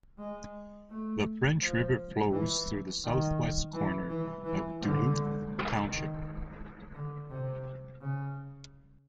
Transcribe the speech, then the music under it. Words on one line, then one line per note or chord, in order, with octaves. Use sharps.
The French River flows through the southwest corner of Duluth Township.
G#3
A3
F3
E3
D#3
E3
E3
E3
D3
D#3
D3
C3
C#3